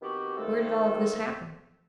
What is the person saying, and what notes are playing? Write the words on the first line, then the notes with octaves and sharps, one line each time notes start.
"Where did all of this happen?"
D#3 B3 C4 F#4 G4
C3 D#3 G3 A3 A#3 A4